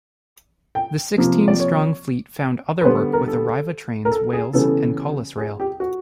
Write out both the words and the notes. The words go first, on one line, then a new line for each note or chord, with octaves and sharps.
The sixteen strong fleet found other work with Arriva Trains Wales and Colas Rail.
G5
C3 F3 A#3
D5
C#5
B4
D3 G3 B3 C5
A#4
A4
A#4
A4
G#4
C#3 E3 G3 B3 A4
G#4
G4
F#4